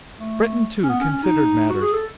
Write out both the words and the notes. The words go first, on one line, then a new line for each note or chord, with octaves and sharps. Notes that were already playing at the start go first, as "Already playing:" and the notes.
Breton, too, considered matters.
A3
C#4
B3
C#4
C#4
D#4
F#4
G#4
A4